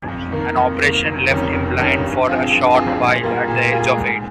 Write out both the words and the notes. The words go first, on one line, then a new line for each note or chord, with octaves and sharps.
An operation left him blind for a short while at the age of eight.
F2
D#3 A#3
F2
D#3 A#3
F1
F2 D#3 G3 C#4
F1
F2 D#3 G3 C#4
G2
F3 C4 F4 G#4
G2
F3 C4 F4 G#4
A#2
G3 A#3 F4 G#4
A#2
G3 A#3 F4 G#4
G#2